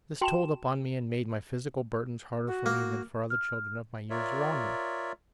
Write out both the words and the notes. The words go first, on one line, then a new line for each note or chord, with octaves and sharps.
This told upon me and made my physical burdens harder for me than for other children of my years around me.
F#4 G5 A5 C6 E7
F#4
A#3
F6
F4 A#4 C#5 D5 E5